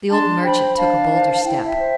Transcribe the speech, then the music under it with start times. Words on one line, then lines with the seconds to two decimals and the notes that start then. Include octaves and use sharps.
The old merchant took a bolder step.
0.10 D4 A5 C6
0.43 C5 G5 B5
0.77 D4 F5 A5
1.10 C5
1.43 E4 G5
1.55 A5
1.66 E5 G5
1.77 C5